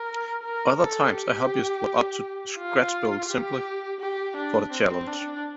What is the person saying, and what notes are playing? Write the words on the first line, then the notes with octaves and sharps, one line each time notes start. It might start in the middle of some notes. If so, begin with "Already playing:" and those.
Other times a hobbyist will opt to scratchbuild simply for the challenge.
Already playing: A#4
A#4
A4
G4
F4
G4
G4
D4
C4
D4